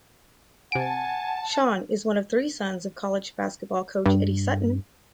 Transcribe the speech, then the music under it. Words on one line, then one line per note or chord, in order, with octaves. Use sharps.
Sean is one of three sons of college basketball coach Eddie Sutton.
C3 F#5 G#5 A5 D7
G2